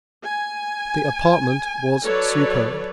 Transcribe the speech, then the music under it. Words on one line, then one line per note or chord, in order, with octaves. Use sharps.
The apartment was superb.
G#5
F#3 A4 B4 C#5 D5